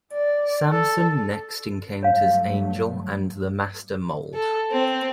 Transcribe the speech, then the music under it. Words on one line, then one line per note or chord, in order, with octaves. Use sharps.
Samson next encounters Angel and the Master Mold.
D5
A4
G2 F#3 A3 C#5 F5
A4
C4